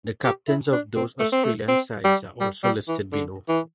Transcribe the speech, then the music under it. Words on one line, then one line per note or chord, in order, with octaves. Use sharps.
The captains of those Australian sides are also listed below.
G4
E4
D4
C4
A3
C4
A3
C4
G3
G3
G3
E3
D3
E3